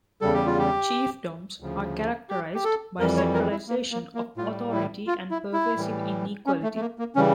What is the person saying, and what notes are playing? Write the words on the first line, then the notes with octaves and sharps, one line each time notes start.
Chiefdoms are characterized by centralization of authority and pervasive inequality.
E2 C#3 G3 A4
G4
F4
G4
D2 C#3 F3
G4
G4
A4
F2 E3 G3 A#4
C#5
A#4
E4
A#3
A#3
A#3
A2 G3 F4
E4
F4
E4
E4
A2 E3 G3
C#4
A3
A3
A#3
A#3
C#3 E3 G3 C#4